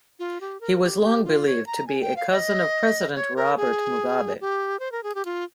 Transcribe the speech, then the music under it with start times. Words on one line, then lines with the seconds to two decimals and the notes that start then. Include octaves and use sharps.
He was long believed to be a cousin of President Robert Mugabe.
0.19 F4
0.41 G4
0.61 A#4
0.82 G4
1.03 G4
1.25 F4
1.46 C#5
1.67 A#5
1.87 G#5
2.01 G5
2.16 F5
2.31 D#5
3.15 C#5
3.36 A#4
3.57 G#4
4.41 G4
4.80 C5
4.92 A#4
5.03 G#4
5.15 G4
5.25 F4